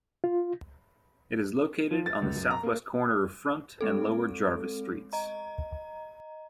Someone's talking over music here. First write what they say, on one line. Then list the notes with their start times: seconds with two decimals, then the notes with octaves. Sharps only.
It is located on the southwest corner of Front and Lower Jarvis Streets.
0.24 F4
1.91 F3
2.06 A6
2.22 C#2
2.35 F#2
2.51 A#5
2.63 A#3
3.81 G#3 C4 A4
5.13 D#5 A#5